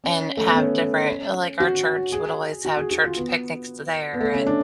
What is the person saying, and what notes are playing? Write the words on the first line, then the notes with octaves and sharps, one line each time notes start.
and have different like, our church would always have church picnics t there. And
C#4
A3
B3
C#4
F#4
G#4
F#4
G#4
F#4
F4
B3
B3
A3
C#4
D4